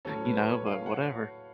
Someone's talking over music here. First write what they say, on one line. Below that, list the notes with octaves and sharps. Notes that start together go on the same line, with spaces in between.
you know, but whatever.
A2 F#3 C#4 A4
B4
C#5
F5
F#5